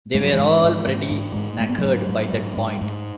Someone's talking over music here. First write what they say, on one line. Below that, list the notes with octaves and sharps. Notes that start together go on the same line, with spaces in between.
They were all pretty knackered by that point.
G#2 G#3
F#3
E3 G#3
G#2
G#2
G#2
G#2
G#2
G#2 A3
B3
F#3 A3
G#2
G#2
G#2
G#2
G#2